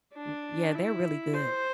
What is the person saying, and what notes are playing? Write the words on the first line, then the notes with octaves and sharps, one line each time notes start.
W yeah, they're really good.
D4
E4
C5